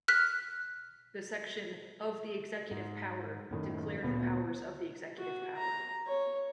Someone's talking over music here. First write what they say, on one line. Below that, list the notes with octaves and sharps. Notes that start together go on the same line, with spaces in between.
The section "Of the Executive Power" declared the powers of the executive power.
F6 F#6 B6
G#2
F#2 A2 D#3
D2 A#2 B3
F#4
A#5
C#5